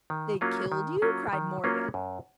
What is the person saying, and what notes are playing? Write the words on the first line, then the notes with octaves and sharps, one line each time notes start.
"They killed you?" cried Morgan.
D#3
F#3 A#3 C#4 F4
D#3
F#3 A#3 C#4 F4
D#3
F#3 A#3 C#4 F4
F#2